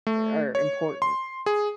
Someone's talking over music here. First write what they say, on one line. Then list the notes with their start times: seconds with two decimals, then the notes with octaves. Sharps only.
are important
0.07 A3
0.55 C#5
1.02 C6
1.46 G#4